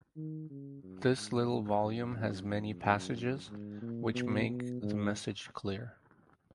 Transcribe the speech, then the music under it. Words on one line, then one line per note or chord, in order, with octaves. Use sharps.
This little volume has many passages which make the message clear.
D#3
C#3
F#2
G#2
G#2
F#2
F#2
F2
F#2
G#2
A#2
B2
B2
G#2